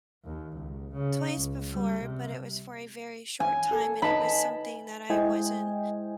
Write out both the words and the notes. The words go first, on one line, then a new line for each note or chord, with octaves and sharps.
twice before, but it was for a very short time, and it was something that I wasn't
D#2
C#2
C#3
C#2
G3
C3
G#5
A4
D#4 B4 A5 B5
G#3 E4 C5 D#5 G5 G#5